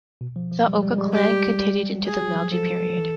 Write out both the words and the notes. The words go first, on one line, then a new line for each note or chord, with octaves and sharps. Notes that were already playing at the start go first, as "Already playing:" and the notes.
The Oka clan continued until the Meiji period.
B2
F3
F3
G3
G#3
G3
G#3
G3
G#3
G3 G4
G#3
G3
G3
G#3 G#4
F#3
F3
F3 A4
F3
E3